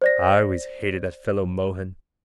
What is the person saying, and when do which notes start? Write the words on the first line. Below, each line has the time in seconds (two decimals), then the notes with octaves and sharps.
I always hated that fellow Mohun.
0.02 C5 D5 A#6